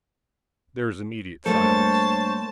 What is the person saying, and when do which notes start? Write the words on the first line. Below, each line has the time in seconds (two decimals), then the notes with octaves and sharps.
There was immediate silence.
1.46 G2 A3 A#3 A4 C5 C#5 A5